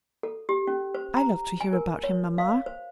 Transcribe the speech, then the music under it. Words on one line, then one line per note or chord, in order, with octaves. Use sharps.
'I love to hear about him, mamma.
A4
G4
C#4
C5
A#5
G#5
A#4
C#5
F5
C5